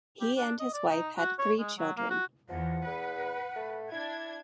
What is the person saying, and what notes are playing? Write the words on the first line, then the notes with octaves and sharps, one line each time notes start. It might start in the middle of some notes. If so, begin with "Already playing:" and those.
He and his wife had three children.
G4
D4
D#5
D5
D#4
F#4
C#5
G#3
F#3
A#3
F#4
E2 F3 F#5
E2 B4
A3
D4 E4 G#6